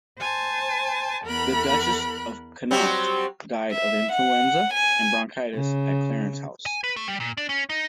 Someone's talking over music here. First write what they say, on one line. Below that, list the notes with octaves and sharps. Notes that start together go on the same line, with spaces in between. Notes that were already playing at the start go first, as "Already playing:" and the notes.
The Duchess of Connaught died of influenza and bronchitis at Clarence House.
C5 G#5 A5
E2 B3 A#4 B5 F#6
F#3 G3 C4
E5
F#5
G#5
C#3
G#5
B4
A3
G3
A#2
D4
C#4
D#4